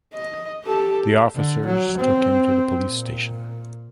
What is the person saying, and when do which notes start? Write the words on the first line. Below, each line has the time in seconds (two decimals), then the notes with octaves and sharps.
The officers took him to the police station.
0.14 D#5
0.64 G4 A4
1.35 D3
1.66 F#3
1.97 C4
2.85 A#2